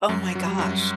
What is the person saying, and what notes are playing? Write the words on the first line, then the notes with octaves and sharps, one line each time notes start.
Oh my gosh.
F#2 F#3
F#3
G3
F#2 F#3